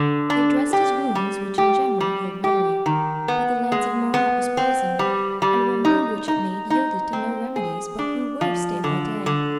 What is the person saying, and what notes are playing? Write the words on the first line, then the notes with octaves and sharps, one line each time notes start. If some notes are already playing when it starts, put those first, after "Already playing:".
They dressed his wounds, which in general healed readily; but the lance of Moraunt was poisoned, and one wound which it made yielded to no remedies, but grew worse day by day.
Already playing: D3
D4
G4
G3
G4
G3
G4
D#3
B3
G#3
B3
C4
G3
G3
D#4
D#4
D#4
C4
G#4
D4
F3
D3
D3